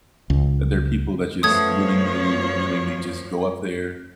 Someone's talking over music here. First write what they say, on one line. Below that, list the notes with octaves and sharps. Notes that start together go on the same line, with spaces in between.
that there are people that just willingly-nilly would just go up there,
C#2
F#2 F3 A3 B3 C#5 D#6 G#6